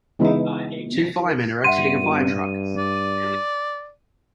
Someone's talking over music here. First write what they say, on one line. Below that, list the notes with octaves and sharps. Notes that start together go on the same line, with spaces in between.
Two firemen are exiting a firetruck.
C#3 E3 G#3 B3 D#4 E4
G2 E5 F#5 C6 D#7
D5